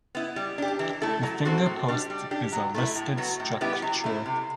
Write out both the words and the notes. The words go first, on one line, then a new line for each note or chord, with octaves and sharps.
The finger post is a listed structure.
B3 E4
G3
D4 G4
E3
A3 E4 A4
F#3
C4 F#4 A4
A2
G3 D4
G3
D4 G4
F#3
A3 E4
A2
F#3 B3 F#4
A2
G3 B3 E4 G4
F#3
A3 E4
C3